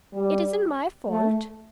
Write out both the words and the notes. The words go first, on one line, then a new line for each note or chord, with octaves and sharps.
It isn't my fault.
G3
A3